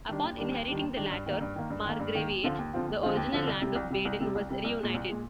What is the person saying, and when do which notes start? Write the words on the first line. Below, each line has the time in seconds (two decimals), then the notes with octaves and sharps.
Upon inheriting the latter margraviate, the original land of Baden was reunited.
0.09 D#3 G3 D4
0.24 D#2
0.38 D#3 G3 D4
0.52 D#2
0.68 D#3 G3 D4
0.81 D#2
0.96 D#3 G3 D4
1.11 G2
1.26 D#3 A#3
1.41 G2
1.56 D#3 A#3
1.70 G2
1.85 D#3 A#3
2.00 G2
2.15 D#3 A#3
2.30 D#2
2.44 D3 F3 C4 F4
2.58 D#2
2.73 D3 F3 C4 F4
2.88 D#2
3.03 D3 F3 C4 F4
3.17 D#2
3.32 D3 F3 C4 F4
3.47 C2
3.62 C3 G3
3.76 C2
3.90 C3 G3
4.05 C2
4.20 C3 G3
4.35 C2
4.49 C3 G3
4.64 C2
4.79 A#2 G#3
4.94 C2
5.09 A#2 G#3